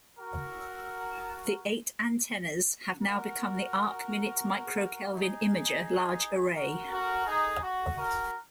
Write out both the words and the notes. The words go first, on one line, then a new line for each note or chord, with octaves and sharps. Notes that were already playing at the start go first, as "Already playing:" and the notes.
The eight antennas have now become the Arcminute Microkelvin Imager Large Array.
F#4 A#4
F#4 A#4
D#4 G#4
F#4 A#4
F#4 A#4
D#4 G#4
F#4
F#4 A#4